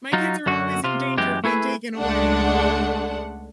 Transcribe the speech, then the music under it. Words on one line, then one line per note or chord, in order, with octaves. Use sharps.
My kids are always in danger of being taken away
F#3 D#4 F4
F#2 D3 F#4
C3 F4
F#2 E3 G#3 G4
A3 E4 G#4 B4
C#2 G#3 A3 D4 F#5